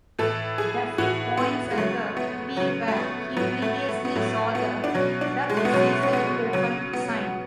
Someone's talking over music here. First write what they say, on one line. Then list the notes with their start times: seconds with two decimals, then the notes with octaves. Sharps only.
Daffy points at the tree where he previously saw the "Duck Season Open" sign.
0.19 A2 E3 A4
0.58 G#4
0.98 A2 E3 F#4
1.37 B3
1.71 G#3
1.77 C#3 F#3 A3
2.17 B3
2.57 C#3 F#3 C#4
2.88 A3
2.97 B3
3.37 A2 F#3 B3
3.62 A3
3.89 A3
4.05 B3
4.15 A2 F#3 A3
4.55 B3
4.84 D4
4.95 B2 F#3 C#4
5.21 D4
5.50 G#3
5.57 A3
5.65 B3
5.73 B2 F#3 C#4
6.03 C#4
6.13 B3
6.53 C#3 F#3 C#4
6.93 B3